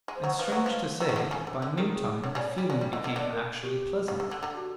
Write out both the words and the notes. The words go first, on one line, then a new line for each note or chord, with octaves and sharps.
And strange to say, by noontime the feeling became actually pleasant.
G#3
C5
F#3
F3 B4
F#3
F3
E3
D#3
D3
C#3
D3
D3
D#3 G#4 A4
D3 C#5
C#3 D5
C#5
G3
G#3 D5
G3
D3 D#5
D3
D3 D5
A#4
G4
C#3
D3
D3
D3
F#4